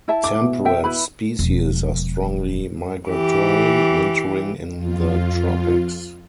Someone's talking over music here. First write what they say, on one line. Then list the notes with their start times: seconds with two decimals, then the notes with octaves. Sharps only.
Temperate species are strongly migratory, wintering in the tropics.
0.08 E4 E5 A5
0.24 D6
0.42 B2
0.65 E5 G5
0.84 E4 B4 B5
1.39 E1 F3
3.09 E3 G4
4.73 F2 F4